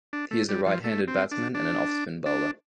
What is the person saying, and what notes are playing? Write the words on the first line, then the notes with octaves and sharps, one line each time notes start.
He is a right-handed batsman and an off-spin bowler.
D4
A3
G3
F3
A3
C4
D4
D4
D4